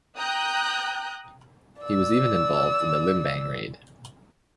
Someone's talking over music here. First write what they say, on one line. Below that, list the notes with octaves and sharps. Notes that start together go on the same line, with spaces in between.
He was even involved in the Limbang raid.
G5 A#5 D#6 F#6 G6
D5 E6